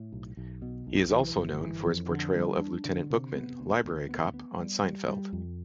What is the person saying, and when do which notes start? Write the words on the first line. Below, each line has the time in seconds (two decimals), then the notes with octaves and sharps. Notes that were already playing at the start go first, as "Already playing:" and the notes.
He is also known for his portrayal of Lieutenant Bookman, Library Cop on "Seinfeld".
Already playing: A2
0.12 B1
0.37 B1
0.62 B2
0.87 B1
1.11 E3
1.36 G1
1.61 E3
1.86 F2
2.10 D3
2.36 G3
2.60 D4
2.85 D3
3.10 C3
3.34 B3
3.60 D2
3.84 D2
4.09 B3
4.34 B3
4.59 G3
4.84 G3
5.08 G3
5.33 F2